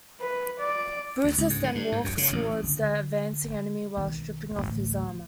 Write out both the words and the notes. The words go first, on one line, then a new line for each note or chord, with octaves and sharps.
Brutus then walks towards the advancing enemy while stripping off his armour.
B4
D5
D2
C#2
G#2
D3
G2
G#2
F#2
C#3
A1
D3
B1 D#3
A1 D2